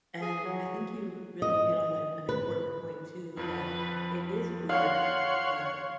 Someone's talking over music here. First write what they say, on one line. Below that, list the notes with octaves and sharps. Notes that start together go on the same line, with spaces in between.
and I think you really hit on a an important point, too, that it is weird, uh
G#4
F#3
D#5
B4
F2 F3 B4
C#5 F5 F#5 C6